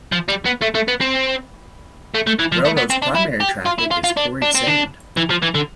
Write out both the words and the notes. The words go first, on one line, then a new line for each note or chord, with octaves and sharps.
The railroad's primary traffic is quarried sand.
F3
G3
B3
A3
A3
B3
C4
A3
A3
E3
F3
A3
B3
C4
D4
E4
G4
F4
E4
F4
F4
D4
D4
C4
D4
E3
F3
E3
D3